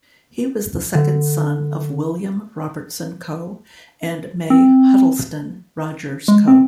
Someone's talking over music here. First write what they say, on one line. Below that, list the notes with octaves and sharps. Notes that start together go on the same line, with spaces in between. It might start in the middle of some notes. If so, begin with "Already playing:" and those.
He was the second son of William Robertson Coe and Mai Huttleston Rogers Coe.
D3
C4
G#3
C4